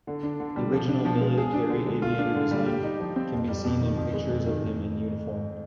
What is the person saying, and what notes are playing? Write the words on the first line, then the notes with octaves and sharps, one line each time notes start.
The original Military Aviator design can be seen in pictures of him in uniform.
D3
D4
D3
G3
F3
D4
F3
G#3
G#4
D4
D3
G#3
F4
D4
D3
G3
G4
D#4
F3
C4
F2
G3
F2
D#3
F2
G#3
F2
D#3